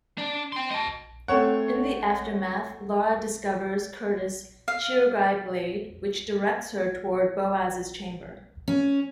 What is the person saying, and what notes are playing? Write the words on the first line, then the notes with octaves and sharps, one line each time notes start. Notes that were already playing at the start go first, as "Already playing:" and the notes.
In the aftermath, Lara discovers Kurtis' Chirugai blade, which directs her towards Boaz's chamber.
D4 D5
G5 C6
D#5 A5
A3 C4 C#5 F#5
F5
C#4